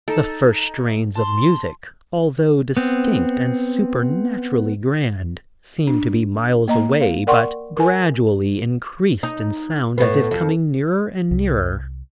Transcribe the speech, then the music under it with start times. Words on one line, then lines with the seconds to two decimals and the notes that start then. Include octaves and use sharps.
The first strains of music, although distinct and supernaturally grand, seemed to be miles away but gradually increased in sound as if coming nearer and nearer.
0.08 D#4 A4 A#5
1.16 A5 C6
2.77 B3 C4
5.87 D4
6.68 A#3 D#5 A#5
7.01 F5
7.27 A#4 D5 F#5 G5 C6 C#6
7.77 A#4 G#5
9.23 D#4
9.98 A2 B3
10.31 F2
11.31 C2